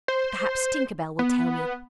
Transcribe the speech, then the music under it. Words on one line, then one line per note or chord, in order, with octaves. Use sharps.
'Perhaps Tinker Bell will tell me.'
C5
B3